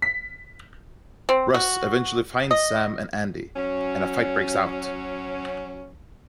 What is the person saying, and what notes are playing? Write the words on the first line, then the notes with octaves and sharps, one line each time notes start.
Russ eventually finds Sam and Andy, and a fight breaks out.
B6
C4
F#4
D#5
F#3 C#4